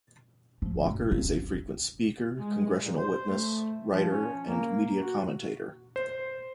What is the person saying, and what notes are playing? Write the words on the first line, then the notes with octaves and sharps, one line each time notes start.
Walker is a frequent speaker, Congressional witness, writer, and media commentator.
F3
F#2
C4
G#3
A#2
C5
A3
F3
C#4
A#3
F#4
C5